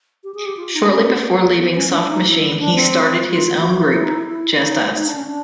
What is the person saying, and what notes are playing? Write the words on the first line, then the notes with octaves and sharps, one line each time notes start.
Shortly before leaving Soft Machine he started his own group, Just Us.
G4
G#4
G4
F4
D#4
D4
C#4
B3
A#3
B3
C#4
D4
D#4
E4
D4
C4
F4
F#4
F4
E4
D#4
E4
E4
D#4
D#4
D4
C#4
D4